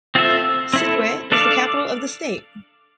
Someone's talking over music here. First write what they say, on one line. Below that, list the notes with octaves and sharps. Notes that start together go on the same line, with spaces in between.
Sittwe is the capital of the state.
C4 F4 A4 E5
C4 E4 A4
D4 A4 D5 F5